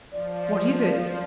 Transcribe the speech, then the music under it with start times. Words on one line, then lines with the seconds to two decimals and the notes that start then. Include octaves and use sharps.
What is it?
0.12 F3 D5